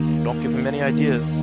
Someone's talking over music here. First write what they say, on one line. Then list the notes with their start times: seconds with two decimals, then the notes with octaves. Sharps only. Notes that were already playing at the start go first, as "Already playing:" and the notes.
Don't give him any ideas!
Already playing: D#2 D#3 A#3